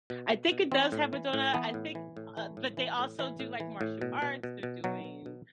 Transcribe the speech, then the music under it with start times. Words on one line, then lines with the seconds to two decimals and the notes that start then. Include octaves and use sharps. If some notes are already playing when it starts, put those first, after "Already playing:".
I think it does have a donut. I think, uh but they also do, like, martial arts. They're doing
0.10 B2
0.30 B2
0.52 B2
0.72 E3 C4
0.92 A2
1.13 E3
1.33 A2
1.54 E3 B3
1.74 A2
1.95 E3
2.17 A2
2.37 E3 A3
2.57 A2
2.77 E3
2.99 A2
3.19 E3
3.40 A2
3.60 E3
3.81 A2
4.02 B2
4.22 B2
4.43 B2
4.63 B2
4.84 B2 F#3
5.04 B2
5.26 B2